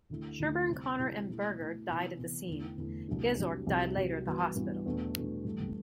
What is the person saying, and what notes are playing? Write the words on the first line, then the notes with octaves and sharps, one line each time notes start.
Sherburne, Connor, and Berger died at the scene; Gezork died later at the hospital.
D2 D3 A3 E4
D2 D3 A3 E4
C3 G3 C4 E4
C3 G3 C4 E4
B2 A3 E4
B2 A3 E4
C3 E3 B3 E4
C3 E3 B3 E4
E2 D3 A3 E4
E2 D3 A3 E4
C2 C3 F#3 A3 D4
C2 C3 F#3 A3 D4
C2 C3 F#3
C2 C3 F#3
G2 E3 B3 F#4
G2 E3 B3 F#4
E2 B2 A3 D4
E2 B2 A3 D4
G2 E3 A3